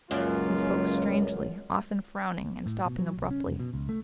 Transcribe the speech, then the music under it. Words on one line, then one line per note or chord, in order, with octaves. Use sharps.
He spoke strangely, often frowning, and stopping abruptly.
C#2 F#2 F#3 A#3 F4
A2
B2
F#3
C2
C#4
F1
B2
C#2
A3